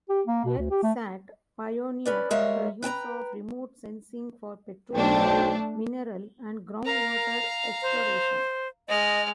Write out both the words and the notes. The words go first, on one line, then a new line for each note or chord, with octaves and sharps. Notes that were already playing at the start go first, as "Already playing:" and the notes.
EarthSat pioneered the use of remote sensing for petroleum, mineral and groundwater exploration.
G4
A#3
B2
D2
G4
A3
C#4 B4 D5
G3 G#3 A#4 C#5 E5 F5
B4 G5 A5 A#5
B1 A3 D4 C5 G5
A#4 F5 A#5
C5
G#3 D#5 F6